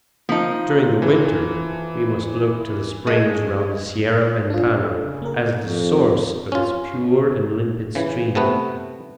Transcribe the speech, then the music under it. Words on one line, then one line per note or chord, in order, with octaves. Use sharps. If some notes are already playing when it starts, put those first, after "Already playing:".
During the winter we must look to the springs round the Sierra Ventana as the source of its pure and limpid stream.
F3 A#3 D#4 A5
E3
G#3
D4 F4
A4
C#3
A#3 A#4
F2
C#4 F4
C#3 E3
C3 A3 B3 B4